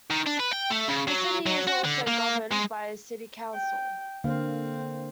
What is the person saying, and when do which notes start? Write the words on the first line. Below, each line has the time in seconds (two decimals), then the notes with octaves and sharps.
The city is also governed by a city council.
0.11 D#3
0.27 D4
0.40 B4
0.53 G5
0.71 A3
0.88 C#3
1.08 F#3
1.46 F#3
1.67 F#4
1.84 D3
2.07 A#3
2.51 G#3
3.53 G5
4.24 D3 A#3 C4 F5